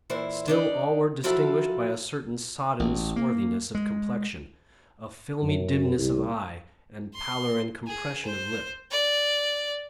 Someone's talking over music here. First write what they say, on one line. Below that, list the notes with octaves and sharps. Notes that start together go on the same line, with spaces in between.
Still all were distinguished by a certain sodden swarthiness of complexion, a filmy dimness of eye, and pallor and compression of lip.
A#2 E3 E4 C5
D4 D#4 D5
F3 F#3 E4 A4 F5
A1
A#3
G#3
F#2
C2
C6
G#4
C5
D5